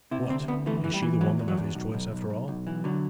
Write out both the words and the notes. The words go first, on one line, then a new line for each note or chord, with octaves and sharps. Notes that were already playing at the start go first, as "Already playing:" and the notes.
'What--is she the woman of his choice after all?'
C3 E4
D2 C4
D2 B3
E3 A3
E3
G3
E3
E2 F#3
E2
F#3
E2
B1
B1
B1
B1
B1
E3
D3 F#3